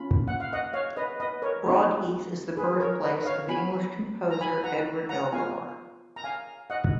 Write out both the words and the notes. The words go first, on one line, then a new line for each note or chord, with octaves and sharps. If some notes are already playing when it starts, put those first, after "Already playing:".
Broadheath is the birthplace of the English composer Edward Elgar.
Already playing: A#3 C#4 F4 B5
F#5
F5
D#5 F#5
C#5 F5
B4 D#5
B4 D#5
A#4 C#5
G#3 B3 D#4 F#4
G#4 B4
A#4 C#5
B4 D#5
C#5 F5
B3 F#4 G#5 B5
A#5
G#5 B5
F#5 A#5
F#5 A#5
B3 F4 F5 G#5
A#5
F5 G#5
D#5 F#5